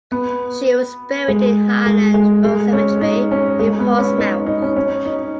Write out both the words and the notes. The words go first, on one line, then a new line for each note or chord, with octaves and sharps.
She was buried in Highland Road Cemetery in Portsmouth.
B3
G#3
G#3
G#3
G#3
C#4
D#4
C#4
G#3
B3
C#4
D#4
D#4
C#4
C#4
D#4